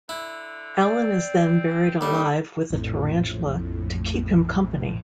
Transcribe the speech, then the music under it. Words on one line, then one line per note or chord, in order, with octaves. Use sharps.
Alan is then buried alive with a tarantula to "keep him company".
D3 E4
C4 D5
D#2 A2 G3 D4 A4
A#1 F2 A2